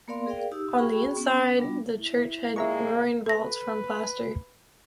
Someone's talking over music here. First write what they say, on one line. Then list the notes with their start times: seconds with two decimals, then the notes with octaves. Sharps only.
On the inside the church had groin vaults from plaster.
0.08 A#3 B3 A#4 D5 F5 C6
0.26 G#4 A#4 D5 F5 G5
0.52 D#4 G4 E6
0.78 F#4 G#4 G5 B5 C#6
1.17 B3 C#4
1.58 G3 B3 D4
1.99 E4
2.56 F2 A#2 G#3 A#3 E5 A#5 C#6
3.26 A4 B4 A#6